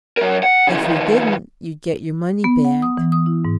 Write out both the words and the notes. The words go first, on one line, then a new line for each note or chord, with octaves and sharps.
"If we didn't you'd get your money back."
F#3 A#4
F#5
C#3 E3
D#3 F3
B3
F#5
D#6
E3
D#6
E4
G#2